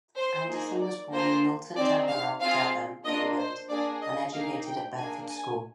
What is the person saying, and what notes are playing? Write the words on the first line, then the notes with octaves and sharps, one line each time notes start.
Anderson was born in Milton Damerel, Devon, England and educated at Bedford School.
C5
A#3 D#4 G#4
D5
A#3 F4 G#4 C5
C4 D#4 G#4 D5
F5
C4 F4 G#4 F5
A#3 D4 F4 D#5
C5
A#3 D4 G#4 D5
D#5
A#3 D#4 G#4 F5
G5
A#3 D4 G#4 G#5
G#5